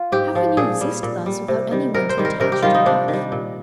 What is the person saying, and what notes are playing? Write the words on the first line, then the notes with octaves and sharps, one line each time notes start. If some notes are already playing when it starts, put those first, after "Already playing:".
"How can you exist thus without any one to attach you to life?"
Already playing: F4
G#2 G4
F3
A#2 G#4
G3
A#2
G3
C3
D#3 G3
C3 A#4
C5
D#3 G3
A#4
C3 A#4
G4
D#3 G3 F4
D#4
C3 D4
D#3
G3
A#2